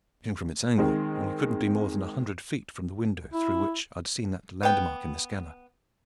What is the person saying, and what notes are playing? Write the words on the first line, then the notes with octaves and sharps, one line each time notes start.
Judging from its angle, we couldn't be more than a hundred feet from the window through which I'd seen that landmark in the scanner.
D#3 G#3 C4
E4
B3 G5